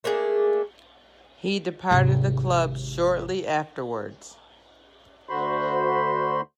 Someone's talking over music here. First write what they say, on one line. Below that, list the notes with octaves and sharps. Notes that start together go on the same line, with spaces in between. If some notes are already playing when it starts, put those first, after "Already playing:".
He departed the club shortly afterwards.
A3 A#3 D4 G#4
G#1 C3
D2 D3 F#4 C5 B5 C6